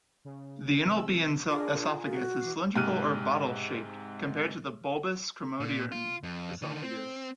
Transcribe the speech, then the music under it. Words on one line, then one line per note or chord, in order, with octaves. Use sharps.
The enoplean esophagus is cylindrical or "bottle-shaped", compared to the bulbous chromadorean esophagus.
C#3
C3 E3 E6
D4 F4 G#4 A#4
F#4
E3 D6 C7
G#2 C3 F6 F#6 D#7
A#2
F4
F2
D3 D#3
C4